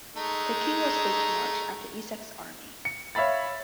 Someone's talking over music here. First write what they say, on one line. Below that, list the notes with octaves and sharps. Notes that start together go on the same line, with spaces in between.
The King was free to march after Essex's army.
G#3 A3 D#4
C#7
C#5 E5 F5 B5 A6